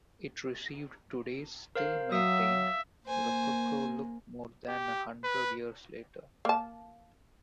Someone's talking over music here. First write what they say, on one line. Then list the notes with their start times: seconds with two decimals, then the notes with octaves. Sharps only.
It received today's still maintained rococo look more than a hundred years later.
1.75 A#4 C5 F5
2.12 F#3 E5 F5 D#6
3.07 A#3 C5 G#5
4.68 G4
5.24 B4
6.45 A#3 A5